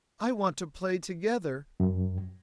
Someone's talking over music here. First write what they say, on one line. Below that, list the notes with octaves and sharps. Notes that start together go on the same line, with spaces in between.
I want to play together.
F#2